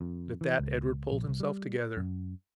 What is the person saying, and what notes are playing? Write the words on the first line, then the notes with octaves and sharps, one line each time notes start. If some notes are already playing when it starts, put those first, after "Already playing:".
But, at that Edward pulled himself together.
F2
E3
C#2
A#1
C2
G3
F#2